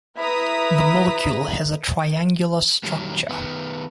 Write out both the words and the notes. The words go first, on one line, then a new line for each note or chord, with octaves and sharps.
The molecule has a triangular structure.
E4 B4 A#5 D#6 B6
D#3 F#3 G3 A#3
D#3 B3